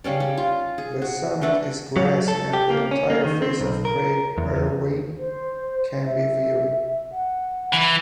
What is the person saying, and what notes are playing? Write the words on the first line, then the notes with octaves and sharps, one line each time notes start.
The summit is grassy, and the entire face of Craig Berwyn can be viewed.
C#3 G3 C#4 D5
G3
F4
G#4
F#4
E3 A3 D4 E4
F#3
A4
G4
A#3
C#4
A#3
D#3
C4
B1
A#4
E2
E2
C5
E5
F#5
E3